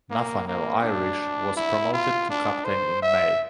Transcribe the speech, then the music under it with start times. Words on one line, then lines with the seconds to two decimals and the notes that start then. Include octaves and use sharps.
Nathaniel Irish was promoted to captain in May.
0.11 A#3
0.47 A#3
0.83 D4
1.57 E4
1.93 F4
2.30 D4
2.65 C5
3.03 E5